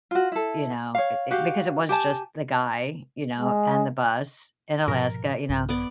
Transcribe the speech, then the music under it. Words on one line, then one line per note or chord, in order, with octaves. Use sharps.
you know, it it Because it was just the guy, you know, and the bus in Alaska, you know.
F4 F#4
E4 A4
C#5 F5
F#4 G4 F5
G4 G#5 A5
G#3
G#2 B2 F3 A#4
A#1 G2
B3 D5